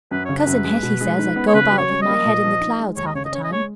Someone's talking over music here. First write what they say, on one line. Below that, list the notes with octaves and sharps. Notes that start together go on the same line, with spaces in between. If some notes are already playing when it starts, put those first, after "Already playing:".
Cousin Hetty says I go about with my head in the clouds half the time.
F#2 B4
C#3 C#5
B4
F#2
G#3
B2
G#3
D#4
B3
C#5
C#3 B4
F#3
C#5
C#4
D#5
A#3
A#2
F3
D#4
G#3
D#2 C#5
D#5
C#3 C#5
D#5
C#4 C#5
D#5
G#3 C#5